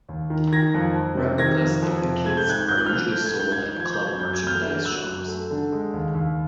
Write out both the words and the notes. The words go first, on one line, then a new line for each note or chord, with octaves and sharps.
Replicas of the kits are usually sold at club merchandise shops.
D#2
D#3
D#3 G#6 A#6
F2
F2
C3
D#3 G#6 A#6
F2
F2
C3
A3 G#6
G6
G#2 F#6 G#6
G#2 G6
F#6
F3 F6 G6
A3 G6
G#6
G#2
G6
G#2 G#6
G6
F3 G#6
G6
F#3
G#6
F#2 G6
G#6
A3 F6 G6
D3
F#3 E6 F#6
F#2
A3
D3
G#3
D#2
D#2